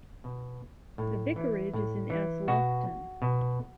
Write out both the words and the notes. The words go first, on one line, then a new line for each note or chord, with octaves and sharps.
The vicarage is in Aslockton.
B2
A2
E3
A2
E3
B2 F#4
B2